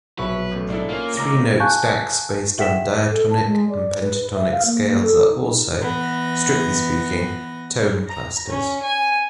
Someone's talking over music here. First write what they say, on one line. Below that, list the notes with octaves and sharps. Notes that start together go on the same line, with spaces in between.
Three-note stacks based on diatonic and pentatonic scales are also, strictly speaking, tone clusters.
A#1 B2 F#3 B4 E5 C#6
A1 A3
G#2 D4 E4 A4
A#3 C#4 F4
C#2 A#5 D6 A#6
F3 A3
F5 G#5 A5 C#6 F#6 G6
G4 E5 F#5 G5 B6 E7
A4
A5
G#3
D5
B4
B4
E5
F5
A#3
A#3
A4
D#4
E3 B3 A#6
A#5
C#4
G#5